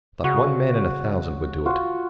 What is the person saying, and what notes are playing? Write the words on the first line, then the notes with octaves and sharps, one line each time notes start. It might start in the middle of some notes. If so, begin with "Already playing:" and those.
Not one man in a thousand would do it.
C#3 F#4
F4 F#4